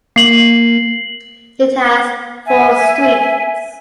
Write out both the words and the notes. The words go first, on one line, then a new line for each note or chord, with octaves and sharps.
It has four streets.
A#3 C7 F#7
E5 G#5